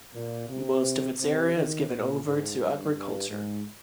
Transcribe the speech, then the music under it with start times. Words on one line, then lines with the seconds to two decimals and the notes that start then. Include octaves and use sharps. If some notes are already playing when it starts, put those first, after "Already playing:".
Most of its area is given over to agriculture.
0.14 A#2
0.49 C3
1.19 C3
1.54 D#3
1.90 A#2
2.24 G#2
2.59 G2
2.94 G2
3.30 G#2